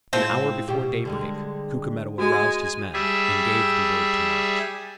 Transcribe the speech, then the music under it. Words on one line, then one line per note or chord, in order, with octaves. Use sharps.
An hour before daybreak, Cucumetto aroused his men, and gave the word to march.
A2 F3 G#3 C4 E4
B2 G4
D3 G3 G#3
G#3 F#4 G#5
G3 G#4 E5